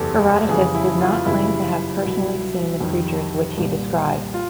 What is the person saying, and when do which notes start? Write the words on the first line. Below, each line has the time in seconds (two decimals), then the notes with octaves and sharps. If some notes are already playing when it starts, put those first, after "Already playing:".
Herodotus did not claim to have personally seen the creatures which he described.
Already playing: F#1 E2 C3 A4
0.49 F2 C#3 E3 G3 G#4
0.75 E4
1.01 F4
1.26 G1 F#2 C#3 E3 G3 E4
2.03 C2 B2 F#3
2.80 F2 C3 D#3 G3
3.57 C2 A#2 G3
4.34 F4